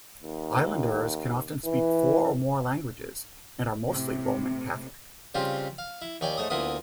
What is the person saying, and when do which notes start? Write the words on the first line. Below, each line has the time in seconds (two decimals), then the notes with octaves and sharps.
Islanders can often speak four or more languages and are mostly Roman Catholic.
0.23 D#2
1.65 E3
3.88 A2 C3
5.35 C#3 G3 C4 F4 G4
5.78 F5
6.02 E4
6.21 D#2 C#5 D5 G5 G#5
6.37 G#2 A3 C#5 D#6
6.50 D2 A#3 B3 E4 F4 D#6